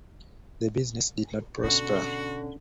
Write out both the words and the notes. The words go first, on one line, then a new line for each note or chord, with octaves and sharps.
The business did not prosper.
B2 D3 C#4 F#4